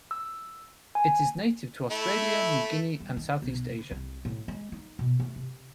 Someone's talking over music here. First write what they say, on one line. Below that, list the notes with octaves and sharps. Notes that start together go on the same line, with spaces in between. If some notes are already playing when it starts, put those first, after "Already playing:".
It is native to Australia, New Guinea and Southeast Asia.
E6
G#5
A3 E4
G3
D#3
B1
D3
C2
A2
G#3
D#4
B2
A3
C3